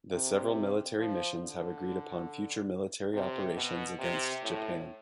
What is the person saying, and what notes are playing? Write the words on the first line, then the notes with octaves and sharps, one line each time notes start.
The several military missions have agreed upon future military operations against Japan.
C3
F3
D3
C3
B2
C3
A2